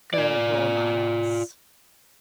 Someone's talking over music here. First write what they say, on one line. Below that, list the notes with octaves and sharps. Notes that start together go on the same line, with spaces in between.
good role models.
F4 D5